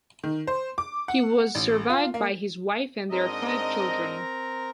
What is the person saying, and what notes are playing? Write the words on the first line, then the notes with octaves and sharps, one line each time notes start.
He was survived by his wife, and their five children.
D#3
C5
D6
F#5
A1
F4
A#3
G#2 C4 D4 A#4 D#5 A#5